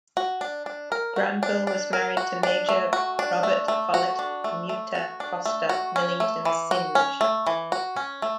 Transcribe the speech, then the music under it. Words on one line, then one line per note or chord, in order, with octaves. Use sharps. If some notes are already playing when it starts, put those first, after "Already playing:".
Granville was married to Major Robert Follett Muter Foster Millington Synge.
F#4
D4
D4
A#4
F#4
D4
D4
A#4
F#4
D4
A3
F#4
D4
A3
A3
F#4
D4
A3
A3
F#4
D4
A3
F#4
C#4
A3
E3
F#4
C#4
A3
E3
F#4
C#4
A3